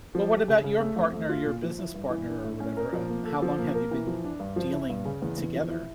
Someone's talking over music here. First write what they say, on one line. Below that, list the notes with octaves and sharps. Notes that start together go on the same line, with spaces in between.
Well, what about your partner, your business partner, or whatever, um, how long have you been dealing together?
F3
G4
C#3
C#3
A3
F2
A3
F4
A#2
F3
E4
G2
E3
D4
A2
C#4
A#4
F3
A#3
A4
F3
A#3
A#4
E3
F3
D4
G2
F3
E4
G2
C#3
E2
E2
F3
E4